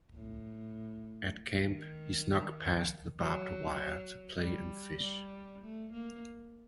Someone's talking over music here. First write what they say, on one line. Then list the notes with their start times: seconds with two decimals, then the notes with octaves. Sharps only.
At camp, he snuck past the barbed wire to play and fish.
0.15 A2
1.67 D#3
3.19 F#3
4.41 G3
5.01 G3
5.62 A3
5.93 A#3